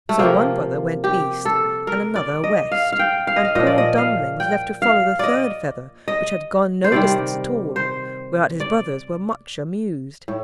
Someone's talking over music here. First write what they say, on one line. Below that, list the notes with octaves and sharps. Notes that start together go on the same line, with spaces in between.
So one brother went east, and another west, and poor Dummling was left to follow the third feather, which had gone no distance at all, whereat his brothers were much amused.
A3
C3 F3 A#3
G4
A4
A#4
D5
D#5
F5
F5
G5
F5
D#5
F5
A#2 F3 D#5
D5
D#5
F5
G5
F5
D5 D#5
D#5
C5
C3 D#3 G3 D5
C5
D5
A2